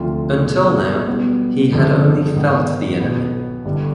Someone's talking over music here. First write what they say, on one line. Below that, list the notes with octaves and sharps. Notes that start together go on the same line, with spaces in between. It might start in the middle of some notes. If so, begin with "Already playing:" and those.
Until now, he had only felt the enemy.
Already playing: D2 C3 F3 C4 F4
B2 G#3 D4
B1 B2 G3 B3
G1 F2 D3 F3 G#3
G#2 D#3 B3
B1 B2 B3
G1 G2 D3 G3